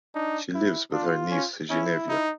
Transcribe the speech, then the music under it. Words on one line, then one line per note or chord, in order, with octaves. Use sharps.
She lives with her niece Geneviève.
D4 D#4
E4
D4 F4
C#4
C#4 E4
D#4